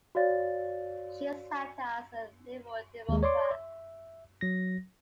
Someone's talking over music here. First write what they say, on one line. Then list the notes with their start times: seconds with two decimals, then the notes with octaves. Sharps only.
She sat as Liberal Democrat.
0.15 F#4 C#5 D5 F5 A6
3.09 D#2 G#3
3.23 C#5 D5 C6 D6
3.51 E5
4.41 F#3 A#6